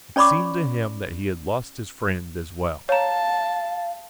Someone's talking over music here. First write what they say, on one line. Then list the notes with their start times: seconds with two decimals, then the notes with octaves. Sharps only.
It seemed to him that he had lost his friend as well.
0.16 C#4 C#5 D5 B5 C#6 D6
2.89 C#5 F5 A5 A#5